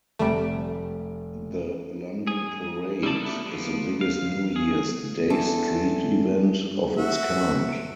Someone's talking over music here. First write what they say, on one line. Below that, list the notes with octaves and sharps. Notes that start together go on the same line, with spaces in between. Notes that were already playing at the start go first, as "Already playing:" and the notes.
The London parade is the biggest New Year's Day street event of its kind.
F1 C3 G3 A3 D7
G#4
G3 A3 A#3 D5 A5
G3 A3 B3 D4 E4
F3 A#3 B3
F5
G#4
E2 A4
F#4 E5